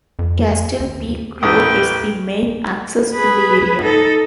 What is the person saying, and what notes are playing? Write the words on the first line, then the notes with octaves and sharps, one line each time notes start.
Castle Peak Road is the main access to the area.
F2
D#2
A1 A3 B4 G5 D#6
G#4 B4
D#4 A4